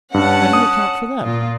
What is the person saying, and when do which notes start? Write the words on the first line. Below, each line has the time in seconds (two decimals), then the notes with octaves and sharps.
"How do you account for them?"
0.14 G2 C#4 F#5 A5
0.53 D#6
1.24 A#2 F4